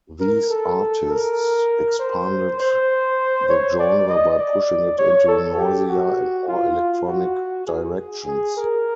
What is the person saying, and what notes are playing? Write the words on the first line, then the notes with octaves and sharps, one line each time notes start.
These artists expanded the genre by pushing it into noisier and more electronic directions.
A#4
A4
A#4
C5
C5
C#5
D5
D#5
D5
C#5
A4
G4
F#4
F4
F#4
G#4
G#4
A#4